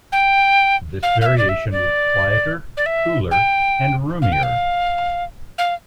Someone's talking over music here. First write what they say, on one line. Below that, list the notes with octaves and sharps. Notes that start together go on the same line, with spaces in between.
This variation was quieter, cooler and roomier.
G5
F5
F5
E5
D5
E5
D5
D5
E5
G5
F5
G5
F5
F5